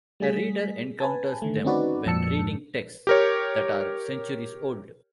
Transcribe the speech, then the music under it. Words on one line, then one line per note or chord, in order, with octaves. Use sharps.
A reader encounters them when reading texts that are centuries old.
G3 A3 G#4 B6
B4 G#5 A5
D3 D#3 A3
C4 C#4 D#4 F#4 B4 D5
F2 A#2 F3 A5 E6 C#7
G#2
G4 A#4 C#5